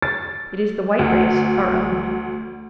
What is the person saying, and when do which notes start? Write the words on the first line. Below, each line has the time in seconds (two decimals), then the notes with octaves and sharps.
It is the white race, our own.
0.02 A6
0.99 D2